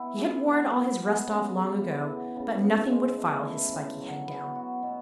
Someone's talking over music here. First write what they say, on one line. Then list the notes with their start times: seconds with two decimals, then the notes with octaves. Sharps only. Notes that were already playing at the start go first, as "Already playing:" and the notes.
He had worn all his rust off long ago, but nothing would file his spiky head down.
Already playing: B3 E4
0.17 G#4
0.44 F#3
0.71 B3
1.00 B3
1.26 C#3
1.54 C#3
1.81 E3
2.09 B3
2.36 C#3
2.64 C#3
2.91 G#3
3.19 A3
3.45 E4
3.73 C#3
4.01 F#3
4.28 B3
4.55 F#4
4.83 B2